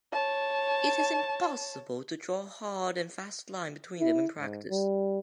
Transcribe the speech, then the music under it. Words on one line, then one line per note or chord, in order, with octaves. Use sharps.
It is impossible to draw a hard and fast line between them in practice.
C#5 A5
E4
G#2
G3